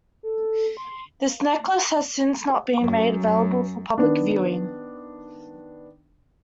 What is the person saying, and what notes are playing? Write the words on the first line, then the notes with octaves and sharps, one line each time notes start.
This necklace has since not been made available for public viewing.
A4
C6
F#2
D#3 B3 D4